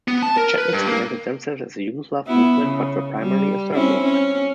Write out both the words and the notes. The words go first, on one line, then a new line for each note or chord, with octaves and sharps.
The Chetniks presented themselves as a Yugoslav movement, but were primarily a Serb movement.
B3
A5
A#4
B4
G2
A#3
B3 E4
C#3
G3
C4 C#4 E4
C#4